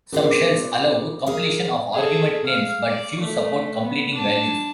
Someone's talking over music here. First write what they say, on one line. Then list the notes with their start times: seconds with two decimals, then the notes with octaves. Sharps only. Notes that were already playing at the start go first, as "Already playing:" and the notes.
Some shells allow completion of argument names, but few support completing values.
0.12 B3 C#4 F4 G#4 A#4 C5
0.30 D6
1.26 G#4 A#4 D#5
1.93 G#4 A4
2.46 F5
2.87 D5
3.20 A3
3.82 B3
4.14 D4 A5